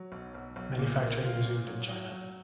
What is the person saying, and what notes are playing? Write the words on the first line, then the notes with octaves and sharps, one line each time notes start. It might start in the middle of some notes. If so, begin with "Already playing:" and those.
Manufacturing resumed in China.
Already playing: F#3
B1
B1
B1
A#2
A#3
F4
A#2
F#3
F#3
F#3